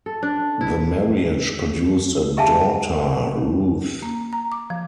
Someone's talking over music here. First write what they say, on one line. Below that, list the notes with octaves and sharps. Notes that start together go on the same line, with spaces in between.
The marriage produced a daughter, Ruth.
A4
D4
E4
G4 G#4 E5 F5 G#5 A5
A#3
A#5
D6
F3